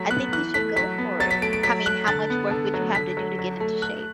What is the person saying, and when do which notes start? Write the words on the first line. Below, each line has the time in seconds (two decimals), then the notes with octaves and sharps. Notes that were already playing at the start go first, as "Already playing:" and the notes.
I think you should go for it. I mean, how much work would you have to do to get into shape?
Already playing: F#3 A3 B6
0.11 B3 F#6
0.32 E3 F#6
0.54 A3 B6
0.76 F#3 B6
0.98 B3
1.20 F#3 A6
1.31 B6
1.42 A3 D7
1.53 D7
1.63 F#3 B6
1.86 A3 F#6
2.08 D3 A6
2.30 B3
2.51 D3
2.74 F#3
2.95 D3 B6
3.17 F#3
3.39 F#3
3.60 A3
3.82 A3 F#6